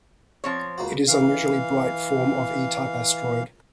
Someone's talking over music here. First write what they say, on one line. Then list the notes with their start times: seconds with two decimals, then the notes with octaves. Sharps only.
It is an unusually bright form of E-type asteroid.
0.44 F3 C4 C#5
0.78 C#2 A#3 F#4
1.08 E3 F5